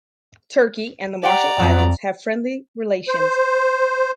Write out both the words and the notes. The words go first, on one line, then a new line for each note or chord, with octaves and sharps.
Turkey and the Marshall Islands have friendly relations.
G4 D5 F#5 G5 A#5
F2 F#3 B3
C5